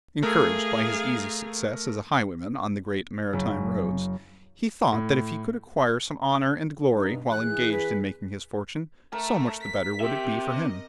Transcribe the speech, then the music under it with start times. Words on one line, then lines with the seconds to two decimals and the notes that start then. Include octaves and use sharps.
Encouraged by his easy success as a highwayman on the great maritime roads, he thought that if he could acquire some honour and glory while engaged in making his fortune, so much the better would it be for him.
0.23 A3 G#4 A#4 F5 E6
3.33 F#1
4.92 A2
6.93 G2 D#4
7.31 E3 G#4 F#6
7.72 B4
9.12 A3 A#4
9.61 B6
10.00 C4 G4 E5
10.50 D#5